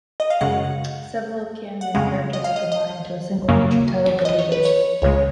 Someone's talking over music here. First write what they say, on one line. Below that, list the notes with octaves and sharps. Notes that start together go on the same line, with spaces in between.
Several of Kanigher's characters were combined into a single feature titled "The Losers".
D#5
F5
F#2 C#3 G#3 F#5
F#5
F2 C#3 G#3 F5
D#5
F5
D#5
D#5
F#2 C#3 F#3 A#3
D#5
C#5
B4
C#5
C#2 C#3 G#3 C#5